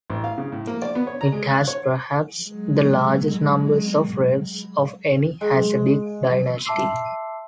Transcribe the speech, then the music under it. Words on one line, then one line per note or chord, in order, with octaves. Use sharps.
It has perhaps the largest numbers of rebbes of any Hasidic dynasty.
A1
F5
C#3
A2
A#3
D5
B3
C#5
A#5
G#3
F#6
C#5
F#3 G#3
G#3
E5 A5 C6 D6 E6 C7